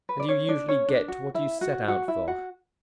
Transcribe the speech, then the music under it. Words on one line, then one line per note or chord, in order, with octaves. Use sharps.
And you usually get what you set out for.
B4
D5
C#4 C#5
D4 D5
C#4 C#5
D4
F#4
E4 E5
F#4 F#5
F#4 F#5
E4 E5
F#4 F#5